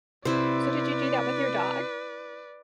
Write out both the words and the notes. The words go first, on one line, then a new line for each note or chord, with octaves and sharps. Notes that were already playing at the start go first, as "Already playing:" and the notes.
So, did you do that with your dog?
C3 E4 B4 C5 D5